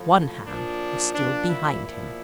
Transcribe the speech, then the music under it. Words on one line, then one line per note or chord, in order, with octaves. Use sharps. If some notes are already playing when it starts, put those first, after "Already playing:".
One hand was still behind him.
Already playing: A2 F3
A#2 F3 D4
A#2 F3 D4
E4
A#2 F3 E4